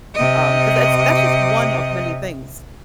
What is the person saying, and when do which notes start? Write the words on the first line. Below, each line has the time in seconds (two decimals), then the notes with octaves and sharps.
um 'cause that's that's just one of many things.
0.15 C3 D#5